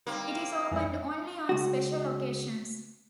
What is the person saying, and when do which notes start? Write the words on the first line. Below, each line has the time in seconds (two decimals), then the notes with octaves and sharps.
It is opened only on special occasions.
0.07 D#3 G3 A#3 C4
0.72 F2 E3 G#3 E4 D5
1.49 C#2 F#4